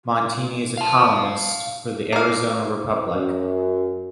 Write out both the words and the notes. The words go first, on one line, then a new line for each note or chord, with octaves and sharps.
Montini is a columnist for "The Arizona Republic".
F5 A5
A#3 F5
F#2